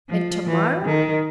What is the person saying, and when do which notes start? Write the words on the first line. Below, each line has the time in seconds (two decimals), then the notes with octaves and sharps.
And tomorrow?
0.08 F3
0.47 E3
0.85 D#3